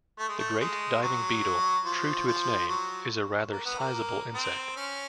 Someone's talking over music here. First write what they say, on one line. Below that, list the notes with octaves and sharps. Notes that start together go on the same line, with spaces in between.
The great diving beetle, true to its name, is a rather sizable insect.
A3
G#3
A3
G#3
F#3
F3
F3
F#3
A#3
B3
A#3
C4
C#4